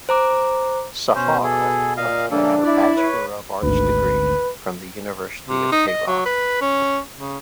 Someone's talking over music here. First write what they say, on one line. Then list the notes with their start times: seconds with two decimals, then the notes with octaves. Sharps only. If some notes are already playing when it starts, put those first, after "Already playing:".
Sahar obtained her Bachelor of Arts degree from the University of Tehran.
0.09 C5 A#5 D6
1.15 B2 C#4 C5
1.44 G#4 A4
1.97 A#2 D#5 F5
2.31 C#3 E3 G3 A#3 D4 A4
2.63 E4 D5
2.97 B4 C#5
3.62 G#1 D2 B4
5.49 C3
5.72 D#4
5.87 D#5
6.07 F#3
6.26 B4
6.61 C#4
7.17 C#3